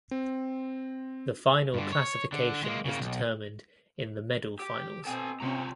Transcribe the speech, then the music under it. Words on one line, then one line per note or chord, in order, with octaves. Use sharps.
The final classification is determined in the medal finals.
C4
G2 D3
C#5
D3
G#3 A#3
C#3 A#3
B1
G4
B2 C4 A4 G5 G#5
C3 C4 C#4 F4 A#5